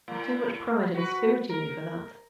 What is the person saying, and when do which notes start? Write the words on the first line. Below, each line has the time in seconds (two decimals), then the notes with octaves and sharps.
You've too much pride and spirit in you for that.
0.08 A2
0.94 F#4 B4
1.49 A#4